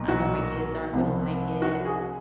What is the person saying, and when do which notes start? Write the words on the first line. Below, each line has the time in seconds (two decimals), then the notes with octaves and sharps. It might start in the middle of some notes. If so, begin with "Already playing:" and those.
I know my kids aren't gonna like it.
Already playing: B1 A#2 F#3
0.08 F#4
0.93 C2 C3 F3
1.62 F#4
1.85 G#4